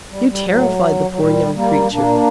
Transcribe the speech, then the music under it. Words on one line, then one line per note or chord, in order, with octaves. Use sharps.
You terrified the poor young creature.
G3
G3
A2 F#3
F#3
A#2 G3
G3 A#3
A#2 A#3 D4